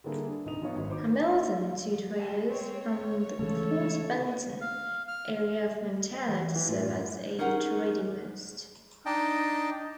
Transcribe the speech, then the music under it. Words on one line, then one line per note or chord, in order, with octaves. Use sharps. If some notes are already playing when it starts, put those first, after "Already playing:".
Hamilton-two traders from the Fort Benton area of Montana-to serve as a trading post.
D3 G3 A#3 E4 G#4
D4
C2 D#4 D#5 D#6 F7
F3 B3 D#4 F4 C#5
G#1 F#3
D#3 C5 D6
C4 C#5
C#3 E3 G#3 A3 A4
F5
F6
D#5
E3
E3
A2 F4
C#4 D#4 G#4 A#4 F#5
D4 D#4 D#5 G5 A5